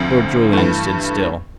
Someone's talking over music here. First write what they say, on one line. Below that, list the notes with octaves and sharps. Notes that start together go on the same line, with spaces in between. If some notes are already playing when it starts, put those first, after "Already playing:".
Lord Julian stood still.
Already playing: D2 D3 F3 C4
G2 E3 A3